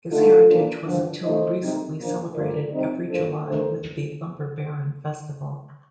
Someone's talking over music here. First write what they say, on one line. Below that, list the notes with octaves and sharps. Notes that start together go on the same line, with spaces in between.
This heritage was until recently celebrated every July with the Lumber Baron Festival.
D3 A3 D#4 F4 A4
A#2 F3 A#3 D4
G2 D3 F3
C3 F3 A3 D#4 C5 D#5
C3 G3 C4 D#4
A#2 F3 A#3 D4
G2 F3 A3 A#4 D5
C3 G3 C4 D#4
G2 F3 A#3 D4 A4 C5
D#3 A3 D4 A4 C5